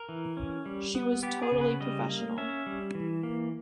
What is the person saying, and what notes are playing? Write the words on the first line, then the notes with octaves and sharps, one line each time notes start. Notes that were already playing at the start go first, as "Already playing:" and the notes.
She was totally professional.
Already playing: A#4
E3
C#4
G3
B3
B3 G4
G#4
C#3
B4
G3 D#5
A#3
C#4 E5
G3
E3
A#3